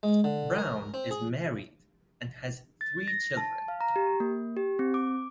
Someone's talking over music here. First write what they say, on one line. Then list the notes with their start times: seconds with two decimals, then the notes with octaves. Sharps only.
Braun is married and has three children.
0.03 G#3
0.24 D3
0.58 A#4
0.94 C4
1.11 G#4
2.81 A6
3.08 A#6
3.37 A5
3.68 F5
3.81 A#5
3.96 G4
4.20 A#3
4.57 G4
4.79 C4
4.94 D6